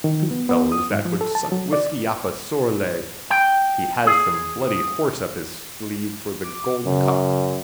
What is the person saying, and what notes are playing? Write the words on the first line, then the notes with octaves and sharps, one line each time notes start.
Two fellows that would suck whisky off a sore leg. He has some bloody horse up his sleeve for the Gold cup.
D#3
B3
B3
D#6
G#2
F3
A4
A5
F#3
D5
G5
G#4
D6
F#2 C#3